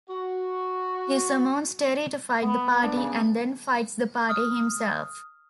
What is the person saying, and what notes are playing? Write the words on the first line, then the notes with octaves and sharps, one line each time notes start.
He summons Terry to fight the party and then fights the party himself.
F#4
B3
D4
C#3
D#6 F6